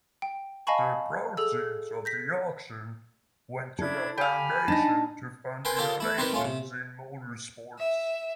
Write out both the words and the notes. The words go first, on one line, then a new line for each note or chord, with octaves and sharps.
The proceeds of the auction went to a foundation to fund innovations in motorsports.
G5
D#5 F5 G#5 A5 B5 C#6
G#4 A4 E6
G6 A#6 B6
D4 E4 A4 G#6
G4 F5 G#5 B5
D4 D#4 A5 A#5
A#4 B4 G5 G#5 C6
F4 G4 A4 A#4 C5
A3 E4
C4 D#4 G4 A#4 B4
A3 C#4 F4
C3
E5